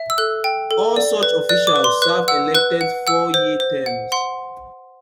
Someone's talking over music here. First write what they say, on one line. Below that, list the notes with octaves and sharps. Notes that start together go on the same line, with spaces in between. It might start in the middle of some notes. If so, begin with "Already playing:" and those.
All such officials serve elected four-year terms.
Already playing: E5
E6
A4 F#6
G5
A4
D5
B4
D5 F#6
D6
B4
C6
B4 F#6
F#5 E6
B4 F#6
F#5
F#5 E6
C5
C5
F#5
F#5 C6